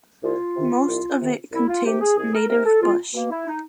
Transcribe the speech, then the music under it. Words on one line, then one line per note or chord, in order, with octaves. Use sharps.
Most of it contains native bush.
C2 F4
C3 D#3
C2
C3 D#3
C2 E4
F4
C3 D#3 G4
G#4
C2 G#4
A#4
C3 D#3 A#4
A4
E2 F4
B2 A#3
E4
D#4